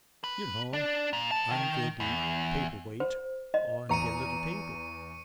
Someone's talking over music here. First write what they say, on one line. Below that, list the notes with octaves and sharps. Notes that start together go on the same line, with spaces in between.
"You know--under the paperweight on the little table."
B4
D4
A#2
C5 A5
D#3
E2
C5
D#5
E2 A#5 C#6 C#7 D#7